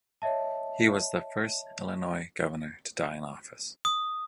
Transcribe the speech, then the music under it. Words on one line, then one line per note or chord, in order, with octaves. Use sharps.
He was the first Illinois Governor to die in office.
C#5 D#5 E5 A5
D#6